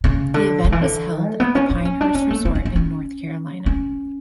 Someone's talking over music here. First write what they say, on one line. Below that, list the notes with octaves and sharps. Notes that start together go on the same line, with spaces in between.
The event was held at the Pinehurst Resort in North Carolina.
C#3
D3
D3
E3
D3
A3
B3
C#4
D4
C#4
D4
C#4
A3
B3
C#4
C#4
C#4
C#4